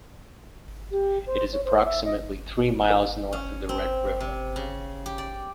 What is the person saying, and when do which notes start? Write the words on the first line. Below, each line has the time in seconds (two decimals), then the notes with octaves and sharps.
It is approximately three miles north of the Red River.
0.91 G4
1.27 C5
1.53 C#5
1.65 C5
1.85 E5
2.05 D#5
3.33 C#4
3.69 C4
4.20 C3
4.56 C#3
5.06 G4
5.18 D5